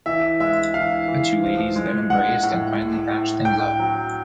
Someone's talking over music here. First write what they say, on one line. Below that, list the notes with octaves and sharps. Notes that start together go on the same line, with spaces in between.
The two ladies then embraced and finally patched things up.
E3 E5
G#3 E5
E3 F5
E3
F3
G#3
G#3 F#5
A2
A2
A2
A2 G5
F#3